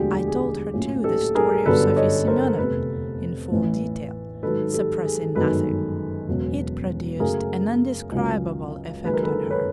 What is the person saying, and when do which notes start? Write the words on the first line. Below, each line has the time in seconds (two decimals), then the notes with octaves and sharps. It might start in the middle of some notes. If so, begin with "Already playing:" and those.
I told her too the story of Sofya Semyonovna in full detail, suppressing nothing. It produced an indescribable effect on her.
Already playing: E1 D2 D3 F3 G#3 G4
0.27 G#4
0.73 A#1 A2 F#3 A#3 C#4
1.04 G4 A4
1.35 G#4 A#4
1.66 G1 F#2 D3 G3 A4 B4
1.96 C#5 D#5
2.28 A#4 C5
2.58 F1 E2 C3 A4 B4
3.51 A1 A2 E3
4.42 G#2 D#3 F#3 A4 B4
4.74 G4 A4
5.04 G#4
5.35 G1 F#2 D#3 G#3 A4 B4
6.28 E1 E2 C#3 F#3
7.19 F#2 C#3 F#3 A3 G#4 A#4
8.12 C#2 C#3 F#3
9.05 F#1 F#2 D#3 G#3 B4
9.14 A#4
9.23 A4 B4
9.50 B4 C#5